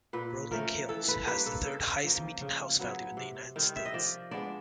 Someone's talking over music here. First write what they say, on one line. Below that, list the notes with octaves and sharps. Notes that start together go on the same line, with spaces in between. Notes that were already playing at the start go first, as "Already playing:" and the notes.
Rolling Hills has the third highest median house value in the United States.
A#2 B4
F3 A3 C#4 A#4
E3 A4
B4
G3 A#3 D4 B4
A4
C#3 A4
F3 A#3
C#3
F#3 B3
C3
D#3 G3 C4
E5
D#5
F3 D5
G#3 B3 D4 D5